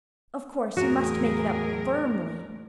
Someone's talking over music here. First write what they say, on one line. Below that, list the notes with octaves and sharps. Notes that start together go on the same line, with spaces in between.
Of course, you must make it up FIRMLY.
E2 A2 F#3 F#4 G#4 A#4